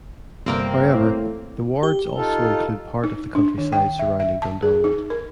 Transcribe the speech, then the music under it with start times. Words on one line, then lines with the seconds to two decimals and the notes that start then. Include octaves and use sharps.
However, the wards also include part of the countryside surrounding Dundonald.
0.46 G1 C2 A#3 C4 A#5
0.93 A2
1.83 G4
2.16 D#4 F4 A4
3.04 D#4
3.35 D4
3.58 D#3
3.72 G5
3.99 E5
4.20 E5
4.42 A5
4.62 G#4
4.84 D#4
5.10 A#4